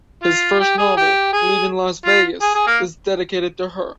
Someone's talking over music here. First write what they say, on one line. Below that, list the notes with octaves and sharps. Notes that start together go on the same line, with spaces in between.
His first novel, "Leaving Las Vegas", is dedicated to her.
F4
G4
G#4
G4
G#4
F4
G#4
G#4
A#3